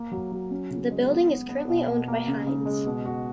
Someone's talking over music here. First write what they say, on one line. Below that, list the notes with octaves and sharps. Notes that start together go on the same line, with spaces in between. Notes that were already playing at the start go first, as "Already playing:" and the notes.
The building is currently owned by Hines.
Already playing: A#3
F#3
F#3
C#4
C#3
G#3
B3
B3
B3
B2
B2
A#3
C#3
C#3
G#3
B2
F#4